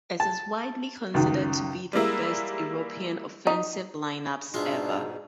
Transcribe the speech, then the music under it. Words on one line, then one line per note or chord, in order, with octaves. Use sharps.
It is widely considered to be the best European offensive lineups ever.
A5
C#2 F#2 D#3
G3 G#3 A#3 E4
D#4
G#2 B2 G#3 D4 F4 E5